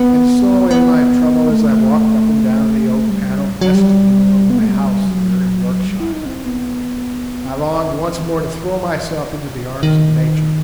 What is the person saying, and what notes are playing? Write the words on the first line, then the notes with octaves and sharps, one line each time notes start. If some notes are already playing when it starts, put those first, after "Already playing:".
And so in my trouble, as I walked up and down the oak-panelled vestibule of my house there in Yorkshire, I longed once more to throw myself into the arms of Nature.
Already playing: B3
B3
A3
G3
F#3
G3
B3
A3
G3
F#3
G3
E4
D#4
C4
B3
C4
D#3
E3
D#3